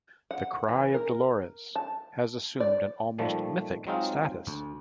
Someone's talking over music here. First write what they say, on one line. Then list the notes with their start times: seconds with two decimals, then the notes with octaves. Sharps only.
The "Cry of Dolores", has assumed an almost mythic status.
0.31 F#5
0.68 E3
0.94 A#4
1.76 A5
2.60 D5
3.18 A#2 D#3 F3 G3 A3
3.87 F#3 G#3 C4 D#4 F4
4.47 D2